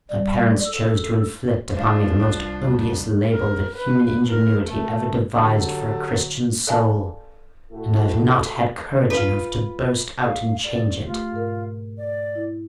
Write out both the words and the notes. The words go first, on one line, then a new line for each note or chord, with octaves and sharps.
My parents chose to inflict upon me the most odious label that human ingenuity ever devised for a Christian soul; and I've not had courage enough to burst out and change it.'
G3
A4
F3 G#3 A3 D4 C5 F5
C2 D6 F#6
F2 D3
A#4
B4
A#4
A3
D3 F#3 G4 A4
A4 D5 F5 G#5 A5
A2 E4 F#4 G4 A4
F4 B4
F5
D5
A3 F4 G4
G#2 B2 A#4
D5
E4